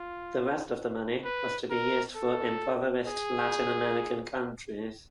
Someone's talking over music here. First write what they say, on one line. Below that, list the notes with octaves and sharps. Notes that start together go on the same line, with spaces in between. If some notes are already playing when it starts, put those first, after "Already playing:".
The rest of the money was to be used for impoverished Latin American countries.
Already playing: F4
B4
A#4
A4
G#4